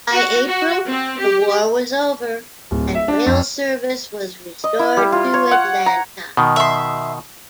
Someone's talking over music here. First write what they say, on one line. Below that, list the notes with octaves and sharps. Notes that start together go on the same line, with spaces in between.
By April, the war was over, and rail service was restored to Atlanta.
F#4
F#4
C4
G4
D1
E5
D4
F2
D#5
E4
G3
F4
C#5
F#5
A#5
B2 D#3
E5 C6